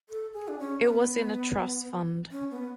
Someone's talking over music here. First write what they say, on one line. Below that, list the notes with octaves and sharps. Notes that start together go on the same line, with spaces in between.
It was in a trust fund.
A4
G#4
D4
C#4
B3
C#4
B3